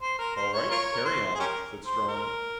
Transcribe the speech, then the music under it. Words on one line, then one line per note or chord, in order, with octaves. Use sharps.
"All right, carry on," said Strong.
C5
A#4
C5
C#5
F4 A#4 C#5
A#4
C5
G#4
C#4 G4 A#4
C5
A#4